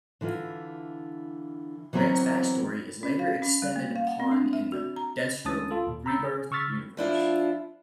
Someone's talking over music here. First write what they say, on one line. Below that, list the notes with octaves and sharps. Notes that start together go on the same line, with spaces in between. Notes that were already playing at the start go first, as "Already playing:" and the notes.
Grant's backstory is later expanded upon in the "Deathstroke: Rebirth" universe.
D3 E3 E4 F4
E3 F#3 B3 C4 A#4
C#4
F5
C#4
G3
A#3
F5
F#5
C4
D4
E5
F#4
A#5
D2 G#3 C#4 A5 D#6 A6
F4 A4
D#2 A#2
A#5 B5 E6 G6 A6
G#4
C#3 C#6 E6 F6 A6 B6
F3 D4 E4 F4